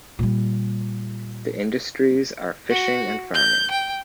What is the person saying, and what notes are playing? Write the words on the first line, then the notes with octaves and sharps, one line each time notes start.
The industries are fishing and farming.
A#2 G3
F#4
G6
G5